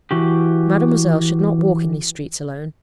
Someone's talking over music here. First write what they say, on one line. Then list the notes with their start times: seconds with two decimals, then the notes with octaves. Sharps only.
Mademoiselle should not walk in these streets alone.
0.11 E3 F#4 G4